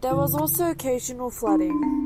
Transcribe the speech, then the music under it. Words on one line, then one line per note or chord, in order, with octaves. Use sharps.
There was also occasional flooding.
F#2 C#3 E3 E4
D#4
D4
C4